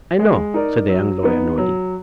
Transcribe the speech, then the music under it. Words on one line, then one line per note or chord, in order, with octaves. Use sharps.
"I know," said the young lawyer, nodding.
G#3
D#4 A#4 D5
F#3
B3 D#4
F#3